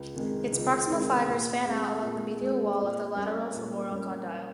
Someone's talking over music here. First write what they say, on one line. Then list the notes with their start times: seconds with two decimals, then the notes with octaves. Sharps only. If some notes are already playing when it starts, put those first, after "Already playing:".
Its proximal fibers fan out along the medial wall of the lateral femoral condyle.
Already playing: C#2
0.14 C3 D#3 G#3
0.52 C#2
0.90 C3 D#3 G#3
1.27 A#2
1.65 G#3 C4
2.02 A#2
2.40 G#3 C4
2.79 A#2
3.16 G3 A#3 C#4 G4
3.53 A#2
3.91 G3 A#3 C#4 G4